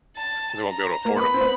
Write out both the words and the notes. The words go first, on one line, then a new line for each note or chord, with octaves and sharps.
'cause they won't be able to afford 'em.
A5
A#5
A#3
B3 B5
C4
B3